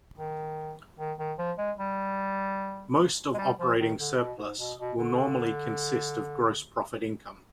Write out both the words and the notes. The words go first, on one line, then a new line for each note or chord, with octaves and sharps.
Most of operating surplus will normally consist of gross profit income.
D#3
D#3
D#3
F3
G#3
G3
G#3
G3
F3
D#3
D3
B2
G#2
B2
B2
D3